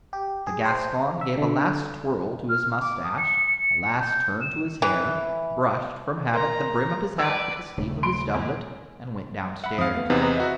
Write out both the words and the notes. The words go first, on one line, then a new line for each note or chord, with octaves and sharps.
The Gascon gave a last twirl to his mustache, a last turn to his hair, brushed, from habit, the brim of his hat with the sleeve of his doublet, and went downstairs.
G4
G#4
C5
E5
D3
F6
D6
D#6
C#7
C#7
G6
E7
E3
A#4 A#5 C6
B4 D5 E6
D#1 C#3 A3
C6 D7
E2
E5 F#5 B5
F2 F5 D#6
A3 B3
E2 C3 B3 D#4
B4 D#5 A#5
F#4 E5